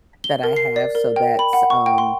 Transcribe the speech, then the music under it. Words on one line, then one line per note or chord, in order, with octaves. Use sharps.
that I have, so that's, um
G7
A#4
C7
D5
A#4
G5
B5
F#5
C#6
G5
C6